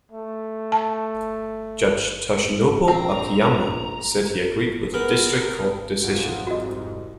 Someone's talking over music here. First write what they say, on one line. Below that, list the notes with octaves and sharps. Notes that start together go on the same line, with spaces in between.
Judge Toshinobu Akiyama said he agreed with the District Court decision.
A3
A5
A#1 C4 A#5
B3 G#4 A#4
B1 F2 G#2 F4 F#5
C2 F#4 D#5